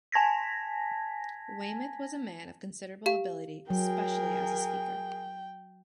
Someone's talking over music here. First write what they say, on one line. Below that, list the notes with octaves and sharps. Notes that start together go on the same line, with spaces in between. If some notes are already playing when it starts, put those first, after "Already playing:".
Weymouth was a man of considerable ability, especially as a speaker.
G#5 A5 G#6 A#6 B6
G4 F5
F#3 G#4 A#4 G5